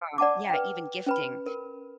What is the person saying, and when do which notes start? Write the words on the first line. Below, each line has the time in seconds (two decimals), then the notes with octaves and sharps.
um yeah, even gifting,
0.18 D5 F#5 A5 D6
0.49 B4 G5
1.06 C#4 B4 B5
1.46 A#4